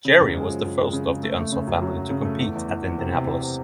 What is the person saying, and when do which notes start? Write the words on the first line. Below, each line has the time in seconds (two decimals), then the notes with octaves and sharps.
Jerry was the first of the Unser family to compete at Indianapolis.
0.05 C#3
0.20 F#2
0.34 G#3
0.49 F3
0.64 F#2
0.79 G#3
0.93 C#3
1.08 C#3
1.23 A3
1.38 A3
1.52 C#3
1.67 F#2
1.82 F#3
1.96 F#2
2.11 C#3
2.25 A3
2.40 E2
2.55 E2
2.69 E2
2.84 E2
2.98 C3
3.14 C3
3.28 E2
3.43 C3